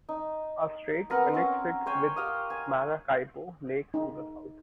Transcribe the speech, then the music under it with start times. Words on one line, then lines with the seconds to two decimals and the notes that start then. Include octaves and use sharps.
A strait connects it with Maracaibo Lake to the south.
0.09 D#4
1.10 B3 C4 A#4 F#5
1.34 C4 C#4
1.86 C5 C#5 G5 G#5
2.16 G4 F5 D#6
2.50 G#5
3.94 D#4